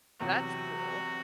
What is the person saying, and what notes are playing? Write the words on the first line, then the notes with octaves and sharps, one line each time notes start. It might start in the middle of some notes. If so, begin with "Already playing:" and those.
That's cool.
E2 C3 F#3 F#4